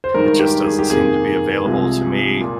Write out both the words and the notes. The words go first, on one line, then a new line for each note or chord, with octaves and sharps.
it just doesn't seem to be available to me
C5
G2 D#3 G#3 A#4
G4
G#4
G4
F2 C3 D#3 A#3 G#4
C2 C3 F3 G#3
A#2